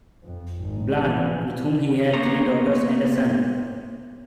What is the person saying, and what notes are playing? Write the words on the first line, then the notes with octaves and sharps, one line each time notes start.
Bland, with whom he had three daughters and a son.
F2
G#1
E3 F3
A#3 B3 C5 C#5 A#5